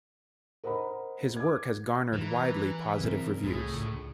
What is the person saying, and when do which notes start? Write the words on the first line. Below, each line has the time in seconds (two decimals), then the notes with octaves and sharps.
His work has garnered widely positive reviews.
0.64 A#4 C5 D#5 F#5 A#5 B5
1.36 D6 G#6
2.13 E3 B4 A#5
3.00 C3 F#3 C4 A#4
3.43 C2 A2 G#4
3.73 C#2 D3